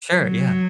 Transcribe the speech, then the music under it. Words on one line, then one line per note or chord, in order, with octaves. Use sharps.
Sure, yeah.
F#3